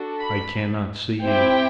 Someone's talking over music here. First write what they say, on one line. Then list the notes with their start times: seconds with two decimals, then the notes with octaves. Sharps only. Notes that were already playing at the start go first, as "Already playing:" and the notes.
I cannot see you.
Already playing: D4 F#4 A4
0.19 B5
1.24 C4 E4 G4 G5